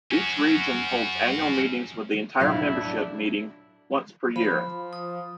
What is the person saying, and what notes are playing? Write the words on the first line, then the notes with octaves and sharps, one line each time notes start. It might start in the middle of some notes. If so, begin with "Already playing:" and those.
Each region holds annual meetings with the entire membership meeting once per year.
C#4 F#4
B1 F2 A2 F#3 E4 F#4 F5
D4
F3 B5
D#6